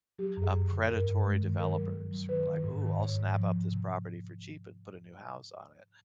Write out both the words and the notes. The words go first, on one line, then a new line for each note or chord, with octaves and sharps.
um, predatory developers who were like, "Ooh, I'll snap up this property for cheap and put a new house on it."
F#3 G4
F#2 G#4
F#2
D3
G2 A#4
G2
G#3
D#3
D#3 A#4
F#3
F#3
F#3
D#3 B4
D#3
G#2
D#3
G#2 C#5
G#2
F3
G#2
C3